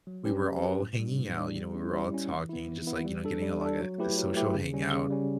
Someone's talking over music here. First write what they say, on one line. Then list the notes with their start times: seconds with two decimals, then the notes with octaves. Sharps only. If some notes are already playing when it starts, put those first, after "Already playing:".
we were all hanging out, you know, we were all talking just, like, you know, getting along at this social hangout
0.07 F#3
0.25 C#4 G4 B4
0.44 F#3
0.62 C#4 G4 B4
0.81 A2
0.99 G3 D4
1.18 A2
1.37 G3 D4
1.56 G3
1.75 C#4 E4
1.93 G3
2.12 C#4 E4
2.30 E3
2.49 B3 E4
2.68 E3
2.87 B3 E4
3.05 G3
3.24 D4 A4
3.42 G3
3.61 D4 A4
3.80 F#3
3.98 A3 E4 G4 B4
4.17 F#3
4.35 A3 E4 G4 B4
4.54 C#3
4.73 G3 C#4
4.93 C#3
5.10 G3 C#4